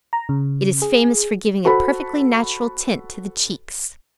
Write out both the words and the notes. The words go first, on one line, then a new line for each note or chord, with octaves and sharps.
It is famous for giving a perfectly natural tint to the cheeks.
A#5
C#3
G#4
F#4 A4 C5 B5